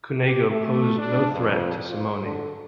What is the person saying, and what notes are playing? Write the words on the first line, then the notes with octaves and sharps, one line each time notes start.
Cunego posed no threat to Simoni.
G4
A3
D4
F2
F3
D3